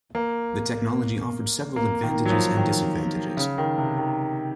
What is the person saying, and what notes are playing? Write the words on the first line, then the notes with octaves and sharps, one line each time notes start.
The technology offered several advantages and disadvantages.
A#3
A#3
D#3
F#3
F3
D#3
C#3
D#3
C3
D#3